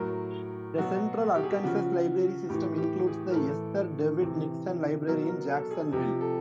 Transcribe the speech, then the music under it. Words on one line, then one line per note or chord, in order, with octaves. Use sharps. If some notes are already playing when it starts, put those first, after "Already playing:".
The Central Arkansas Library System includes the Esther Dewitt Nixon Library in Jacksonville.
Already playing: A2 F#3 A#4
B2 F#3 F#4
G4
G#4
G4
C#3 F3 F#4
A2 E3 G4
G4
G#4
A#4
A2 E3 A4
C3 E3
B2 F#3 A#4
A#4
A4
G#4
C3 F3 G4
A4